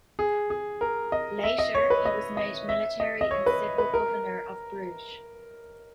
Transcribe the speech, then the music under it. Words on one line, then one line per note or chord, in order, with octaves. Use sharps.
Later, he was made military and civil governor of Bruges.
G#4
G#4
A#4
D#5
E5
D#5
C#5
B4
D#5
D#5
E5
D#5
D#5
C#5
B4
B4
A#4